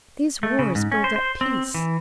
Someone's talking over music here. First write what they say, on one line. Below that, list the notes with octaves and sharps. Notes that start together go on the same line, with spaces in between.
These wars build up peace.
A3
C#3
G#2
C#4
C5
C5
C4
E3